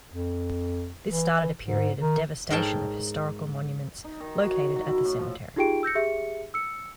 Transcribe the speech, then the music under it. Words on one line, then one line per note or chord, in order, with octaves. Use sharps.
This started a period of devastation of historical monuments located at the cemetery.
F2
E3
G#2
D#3
G#2 A#4 C#5 G5 A5
D#4
D#3
F#4
C#5
F#3
E4
A2
F3
D#4 F4 G4 G#4 G5 D7
E6 G6 A#6 C#7
G4 G#4 E5 C#7
E6 C#7